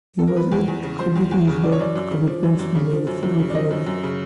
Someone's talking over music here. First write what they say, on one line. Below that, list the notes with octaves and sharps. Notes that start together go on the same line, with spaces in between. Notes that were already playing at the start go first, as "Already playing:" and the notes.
He was able to continue his work commitments and made a full recovery.
A4
A#4
F3 B4
E2
E2
C#3
F3 C5
E2
E2
C#3
F3 D5
C#5
F#2 D5
F#2
C#3
F3
F#2
F#2
C#3
F3
F#2
F#2
C#3
D5
F3 D#5
F#2
F#2
C#3